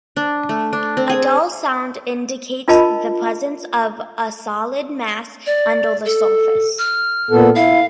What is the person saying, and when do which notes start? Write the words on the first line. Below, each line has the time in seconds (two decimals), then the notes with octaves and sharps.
A dull sound indicates the presence of a solid mass under the surface.
0.16 D4
0.49 A3
0.73 D4
0.97 C4
1.09 G#4
1.23 C5
2.68 D4 F4 A#4 D#5 A5 B5
5.46 D5
6.05 A4
6.79 F6
7.31 A#2 B3 A4
7.56 E4 F5